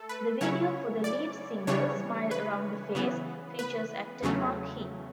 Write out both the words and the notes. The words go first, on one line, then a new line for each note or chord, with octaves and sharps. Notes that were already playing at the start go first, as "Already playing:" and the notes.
The video for the lead single, "Smile Around the Face", features actor Mark Heap.
Already playing: A3 A4
B4
C#3 F#3 C#4 E4 C#5
D5
C#3 E3 G3 D4 C#5
B4
C#3 E3 B3
B4
E2 C#3 F#3 A3 C#4